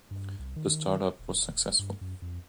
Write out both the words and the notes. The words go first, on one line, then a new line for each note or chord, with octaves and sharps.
The startup was successful.
G2
C2
D#3
D#1
G2
F#2
F2